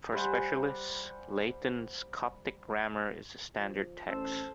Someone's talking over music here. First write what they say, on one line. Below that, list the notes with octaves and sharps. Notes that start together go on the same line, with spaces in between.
For specialists, Layton's Coptic grammar is a standard text.
G3 C5 F#5 G#5
F3
A1 A4 C5